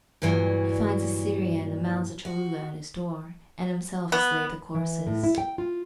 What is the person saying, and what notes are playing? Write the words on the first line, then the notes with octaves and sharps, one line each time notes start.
He finds Assyria and the Mounds of Cholula at his door, and himself has laid the courses.
G2 A#2 E3 F#3 G3
F#4
B3
E3
A2
E4
G5
F4